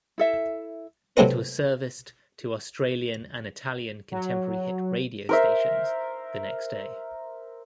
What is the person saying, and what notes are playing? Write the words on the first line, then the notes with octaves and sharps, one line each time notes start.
It was serviced to Australian and Italian contemporary hit radio stations the next day.
E4 A4 E5
C3 F#3 A3 C4 D#4 B4
F#3
A#4 C5 E5